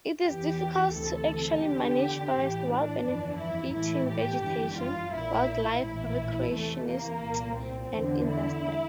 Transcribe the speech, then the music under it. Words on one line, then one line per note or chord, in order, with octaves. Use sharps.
It is difficult to actually manage forest while benefiting vegetation, wildlife, recreationists, and industry.
E2 E3 G4
D2 C3 E3 A4
E2 D3 G4
A1 A2 E3
D4
G1 F2 E3
E4
A1 A2 E3 E4
G4
G1 G2 E3
F4
A#1 A#2 E4
A#1 A2 E3 E4
E2 C3 E3 A3
A#3
C2 A#2
C4
E2 D3
E4